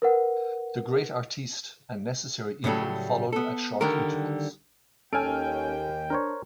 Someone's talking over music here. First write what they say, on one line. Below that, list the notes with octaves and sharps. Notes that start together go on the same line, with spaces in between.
"The Great Artiste" and "Necessary Evil" followed at short intervals.
A#4 B4 F#5
A2 C#3 F#3 G3 A4
B3 A4
D3 D#3 G3 A#4
D#2 C#4 A4 G5 G#5 F6 D7
D4 A#4 C5 C#5